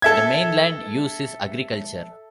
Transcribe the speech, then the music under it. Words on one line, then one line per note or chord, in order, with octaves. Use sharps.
The main land use is agriculture.
A4 E5 G#6